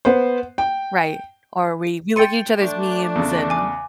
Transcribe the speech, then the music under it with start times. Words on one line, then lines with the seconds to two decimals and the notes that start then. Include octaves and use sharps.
right, or we we look at each other's memes and
0.05 B3 C5
0.58 G5
2.16 G5 C6 A6 C#7 D#7
2.61 A3 D4
3.16 E2 C#3
3.50 G#5 D6